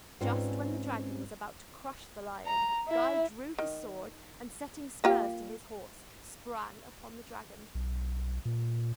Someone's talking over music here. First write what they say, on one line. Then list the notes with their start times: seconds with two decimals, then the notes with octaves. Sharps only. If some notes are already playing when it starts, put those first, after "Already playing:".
Just when the dragon was about to crush the lion Guy drew his sword, and setting spurs to his horse, sprang upon the dragon.
0.21 G#2 C4 C#4 F4 B4 D5
2.46 A#5
2.88 E4
3.59 D#3
5.04 A#3 F4 G4
7.75 B1
8.45 A#2